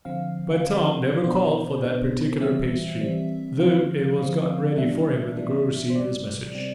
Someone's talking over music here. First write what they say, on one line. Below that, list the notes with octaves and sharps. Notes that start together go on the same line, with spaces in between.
But Tom never called for that particular pastry, though it was gotten ready for him when the girl received his message.
D3 F3 C4 F5
D3 F3 C4
B2 B3 D4 C5
B2 B3 D4
E3 G3 C4 E5
E3 G3 C4
D3 F3 C4 F5
D3 F3 C4
E3 G3 B3 D4 E5
E3 G3 B3 D4
C5
C3 G3 C4 D5
C3 G3 C4